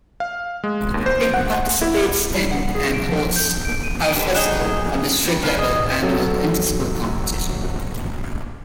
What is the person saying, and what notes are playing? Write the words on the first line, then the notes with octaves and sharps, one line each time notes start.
It participates in, and hosts "Alfresco", a district level annual inter-school competition.
F5
G#3
D#2
C5
F#5
E4
G3
F#5
G#4
D7
F3
G6
D7
D#7
D3 D4 G4 B4
F#3 D#4 G#4
G3
F3 B3 C5
G#4 D#5
F#3 A4